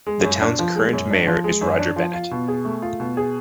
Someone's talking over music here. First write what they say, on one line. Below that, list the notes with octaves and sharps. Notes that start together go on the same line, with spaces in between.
The town's current mayor is Roger Bennett.
G#3
F#2
D4
F3
G#3
F#2
D4
F3
G#3
F#2
D4
F3
F4
B2
G#4
A3
F4
B2
G#4